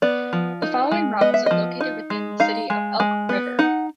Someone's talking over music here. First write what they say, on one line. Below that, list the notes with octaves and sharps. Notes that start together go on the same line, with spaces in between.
The following routes are located within the city of Elk River.
B3 D5
F3
D#4
G#3
B3 D#5
E5
F3 D#5
D#4
G#3
D#4 F5
G#3
G#3
B3
D#4 F#5